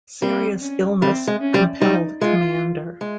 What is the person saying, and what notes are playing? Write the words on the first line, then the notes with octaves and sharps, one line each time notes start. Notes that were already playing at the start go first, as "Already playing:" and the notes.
Serious illness compelled Comdr.
G3 C4
C#4
G3 C4
G#3
C#4
G3
G3 D#4
G#3 F4
G#3